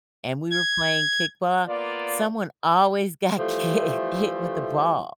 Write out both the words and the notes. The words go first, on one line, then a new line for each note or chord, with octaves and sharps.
and we were playing kickball, someone always got ki hit with the ball,
G#6
A#3 B3 F4 D5
E3 F3 G3 A3